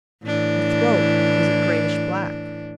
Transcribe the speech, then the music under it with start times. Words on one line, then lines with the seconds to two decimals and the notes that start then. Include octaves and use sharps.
Her throat was a grayish-black.
0.24 A2 E3 D4